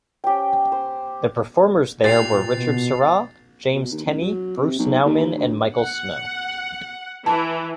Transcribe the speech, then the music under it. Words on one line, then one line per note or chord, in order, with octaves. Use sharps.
The performers there were Richard Serra, James Tenney, Bruce Nauman and Michael Snow.
C#4 G4 C5 G5
C5
A#2 G4 A6 C7 F7
B2
B2
D#2
A1
F#3
C3
B1
D#2
D2
F#5
E3 A5